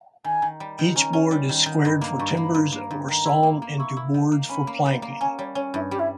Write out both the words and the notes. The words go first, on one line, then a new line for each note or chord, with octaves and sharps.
Each board is squared for timbers or sawn into boards for planking.
D#3 G#5
D#3
G3
D#3
C#4 A#5
C#4
G3
D#3
D#3
G2 B5
A#3 B5
G2 C#6
A#3 B5
G2
A#3
G2
D#3 A#5
E4
A#3
A#3
E4 C#6
E4
D#3
A#3
C#4 B5
A#3
G3
A#3
C#4 G#5
G3 C#5
C#4 C#5
G2 E4
G3 G4
E4